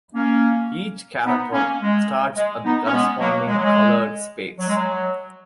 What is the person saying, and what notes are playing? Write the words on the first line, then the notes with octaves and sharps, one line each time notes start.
Each character starts at the corresponding coloured space.
A#3 C#4
B3 D#4
A#3 C#4
G#3
G#3
B3 D#4
C#4
G#3 B3
F#3 A#3
G#3
F#3
G#3
F#3
G#3
F#3